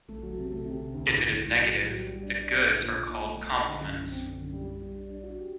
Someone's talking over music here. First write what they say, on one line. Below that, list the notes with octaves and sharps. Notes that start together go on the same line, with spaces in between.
If it is negative, the goods are called complements.
A3
F#3
C3
A3
C3
C3
D2
A2
A2
A2
F#3
A2
F#3
G3
G3
D4
D5
D5
D4
A#2
A#2
D#4
A3
A3
D#4
D3
F#2
F#2
C4
D3
F#2
G3
G3
G3
D4
D4
F#4
G4